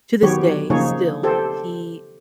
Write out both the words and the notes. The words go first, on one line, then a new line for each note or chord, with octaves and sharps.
to this day, still, he
D#3 F#3 B3 G4 C#5
C#3 F3 A#3 D#4 G#4 C#5
G4 A4 C5